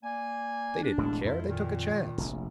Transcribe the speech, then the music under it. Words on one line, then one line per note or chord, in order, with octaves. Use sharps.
They didn't care! They took a chance.
A#3 D5 G#5
D4
E1 A2 G#3
F2 E4 F4
A#2 D#3
F1 A#1